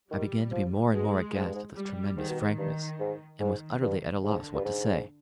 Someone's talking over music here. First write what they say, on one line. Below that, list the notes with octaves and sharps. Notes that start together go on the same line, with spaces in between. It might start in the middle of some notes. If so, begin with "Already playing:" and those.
I began to be more and more aghast at this tremendous frankness, and was utterly at a loss what to say.
D#3 G3
F3
B2 G#3
G#2
G2
G#2
G3
G#2 D#3
B2
G#2
G2 D#3
G#2
G#2 D#3
G2
G#2 D3
G2
G#2